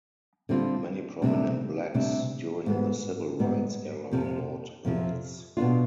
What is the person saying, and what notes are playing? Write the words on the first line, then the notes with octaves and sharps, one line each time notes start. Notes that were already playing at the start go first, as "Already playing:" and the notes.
Many prominent blacks during the civil rights era bought lots.
D3 G3 C4 F4
D2 C3 G3 D4
D2 C3 G3 D4
G#2 G3 B3
G#2 G3 B3
F2 C3 F3
F2 C3 F3
B2 B3 D4 F4